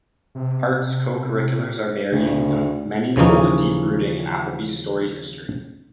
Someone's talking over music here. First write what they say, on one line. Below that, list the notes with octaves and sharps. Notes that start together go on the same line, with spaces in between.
Arts co-curriculars are varying and many hold a deep rooting in Appleby's storied history.
C3
D2 C#3
D#2 C#3 E3 F3 C#4 D#4